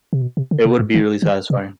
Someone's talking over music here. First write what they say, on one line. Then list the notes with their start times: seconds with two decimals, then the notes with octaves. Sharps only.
it would be really satisfying.
0.13 C3
0.22 B2
0.37 C3
0.51 D3
0.65 B2
0.79 G#2
0.94 D#3
1.22 D#3
1.50 C3